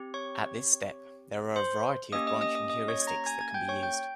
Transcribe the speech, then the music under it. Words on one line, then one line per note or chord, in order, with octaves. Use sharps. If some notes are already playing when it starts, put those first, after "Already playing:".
At this step, there are a variety of branching heuristics that can be used.
Already playing: C4 G4
C#5 C#6
C5 C6
A#3 C#4 G4 D#5 D#6
D#5 D#6
D#5 D#6
D#5 D#6
D#5 D#6
C#5 C#6
G#6
A#5 A#6
G#5 G#6
G#5 G#6
G5 G6
C#5 C#6
G5 G6